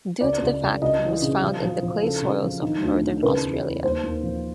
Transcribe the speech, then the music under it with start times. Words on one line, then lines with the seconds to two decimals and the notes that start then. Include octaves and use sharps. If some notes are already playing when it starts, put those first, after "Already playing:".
Due to the fact it was found in the clay soils of northern Australia.
0.21 C#2 D5
0.42 C#2
0.61 C#2
0.82 C#2 D#5
1.02 E3
1.22 C#3
1.42 F3
1.62 F3
1.83 F3
2.03 C#3 A4
2.22 C#3
2.43 F3
2.62 D#3
2.82 D2
3.03 D#3
3.22 C#3 B4
3.42 E2
3.64 E2
3.84 D#2 C5
4.03 D#2
4.23 F3